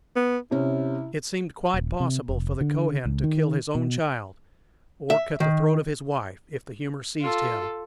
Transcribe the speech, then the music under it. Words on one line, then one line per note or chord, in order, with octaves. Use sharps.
It seemed quite possible for the Kohen to kill his own child, or cut the throat of his wife, if the humor seized him.
B3
C3 C#4 E4
D#1
C3
F1
D3
C#2
D#3
B2
E5
D#3
F4 A4